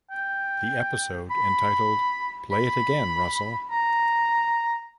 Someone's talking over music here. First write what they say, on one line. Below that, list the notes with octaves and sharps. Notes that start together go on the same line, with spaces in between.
The episode entitled "Play It Again, Russell".
G5
B5
B5
A#5